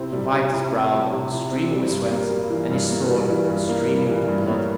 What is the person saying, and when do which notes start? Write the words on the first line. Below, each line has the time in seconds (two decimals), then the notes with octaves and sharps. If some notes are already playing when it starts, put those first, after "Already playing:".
He wiped his brow, streaming with sweat, and his sword, streaming with blood.
Already playing: C3 C4 E4
0.12 G3
0.33 C3
0.52 E4
0.72 C4
0.92 G3
1.12 C3
1.32 E4
1.51 C4
1.71 G3
1.91 G2
2.11 A#3
2.31 G3
2.50 E3
2.70 G2
2.90 A#3
3.10 G3
3.29 E3
3.50 G2
3.69 A#3
3.89 G3
4.09 E3
4.28 G2
4.48 A#3